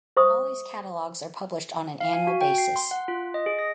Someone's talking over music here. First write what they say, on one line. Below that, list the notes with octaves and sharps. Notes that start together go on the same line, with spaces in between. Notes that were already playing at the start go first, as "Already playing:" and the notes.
All these catalogues are published on an annual basis.
C5 E5 C#6 D#6
F5
G#5
F#4
G5
C7
C6
F#5
F4
D#5
G#4
A#6